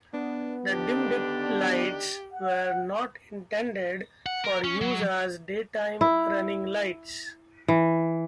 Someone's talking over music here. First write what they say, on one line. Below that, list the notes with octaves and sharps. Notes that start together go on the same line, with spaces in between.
The dim-dip lights were not intended for use as daytime running lights.
B3 D4
D3 D#3 D4 G4
F#5
F#5
A#4
C#4
F#3
E4
E3